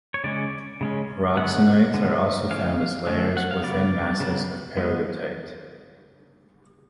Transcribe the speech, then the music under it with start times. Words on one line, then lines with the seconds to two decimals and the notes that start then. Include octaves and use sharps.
Pyroxenites are also found as layers within masses of peridotite.
0.14 C#5
0.24 C#3 G#3 C#4 D5
0.81 C#3 G#3 C#4
1.37 D3 G#3 B3 F#5
1.94 D3 G#3 B3
2.51 D3 F3 A3 C#4 F5
3.07 D3 F3 A3 C#4
3.37 F#5
3.51 F5
3.63 C#3 F#3 B3 D5
4.20 C#3 F#3 B3
4.77 F3 G#3 B3